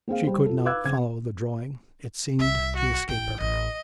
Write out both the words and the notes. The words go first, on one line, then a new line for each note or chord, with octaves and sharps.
She could not follow the drawing, it seemed to escape her.
A#3 C4 G#4 F5
G3 C5
F4 A4
B4 F5 D6 E6 F#6 G#6
C#3 C4 G#6
C2 E5
F#4
A1 G5
A1 D#5